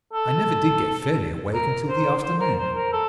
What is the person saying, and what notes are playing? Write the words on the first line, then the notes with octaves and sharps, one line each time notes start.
I never did get fairly awake until the afternoon.
A4
A#4
C5
C5
A#4
C5
A#4
A4